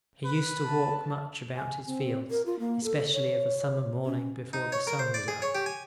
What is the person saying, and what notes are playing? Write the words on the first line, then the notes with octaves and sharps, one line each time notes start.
He used to walk much about his fields, especially of a summer morning before the sun was up.
B4
A5
G#5
C4
A#4
F4
A#3
A4
C#5
C#4
D#4
C#5
A#4
C5
D5
G#4
C#5
G4
G#5